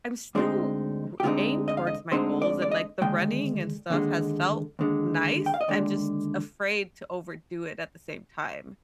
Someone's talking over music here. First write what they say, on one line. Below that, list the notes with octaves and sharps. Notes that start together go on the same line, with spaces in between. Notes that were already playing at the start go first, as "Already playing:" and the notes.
I'm still w aimed towards my goals and, like, the running and stuff has felt nice. I'm just afraid to overdo it at the same time.
D2 D3 G#3 C4 D#4
G4
D2 D3 G#3 C4 D#4 F4
D#5
F5
D#5
D2 D3 G#3 C4 D#4 C5
D5
D5
D#5
D#2 D3 G#3 G5
D#2 D3 G#3
D#2 D3 G#3
G5
F5
D#5
D#2 D3 G#3 D5